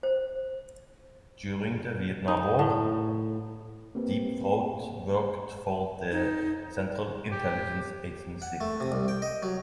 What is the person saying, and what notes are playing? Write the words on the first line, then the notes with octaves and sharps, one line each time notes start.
During the Vietnam War, Deep Throat worked for the Central Intelligence Agency.
C5
D#4
A2
A#3 C4 G4 B4
D#4
G4
F#5
A3
C3
C2
G5
D#5
F#3